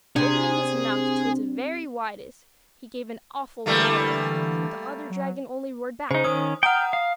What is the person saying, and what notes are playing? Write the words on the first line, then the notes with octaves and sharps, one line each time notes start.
Opening his mouth to its very widest, he gave an awful roar; but the other dragon only roared back.
C3 D4 G#4
D3 E3 G3 A3 A#3
F#3
C#3 D#4 C5
D#3 C#4 D#6
F#5 G5 A#5 D#6 F6
F5